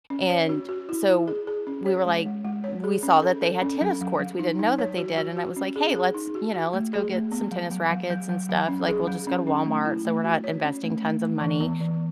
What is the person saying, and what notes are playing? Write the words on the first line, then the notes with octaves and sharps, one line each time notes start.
And so, we were like we saw that they had tennis courts, we didn't know that they did, and I was like, "Hey, let's" you know, "Let's go get some tennis rackets and stuff." Like, we'll just go to Walmart so we're not investing tons of money,
C#4
C#5
F#4
F#4
E4
E4
G#4
G#4
C#4
C#5
G#3
G#3
G#3
C#5
G#4
C#4
A4
A4
C#4
F#3
F#3
F#3
D#4
D#4
C#5
F#4
F#4
F#4
C#4
G#4
G#4
D#4
F#4
F#4
A3
G#4
A3
B3
F#3
F#3
F#3
F#3
F#3
F#3
C#4
G#4
F#3
C#4
C#4
A3
E4
A3
F#4
C#5
C#4
A3
A3
A3
E3
B3
E3